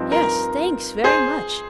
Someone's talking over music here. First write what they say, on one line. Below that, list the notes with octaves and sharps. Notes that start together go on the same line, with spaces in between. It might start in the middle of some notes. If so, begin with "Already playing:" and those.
'Yes, thanks, very much.
Already playing: G2 F3 C4 D#4
A#4
G#4 C5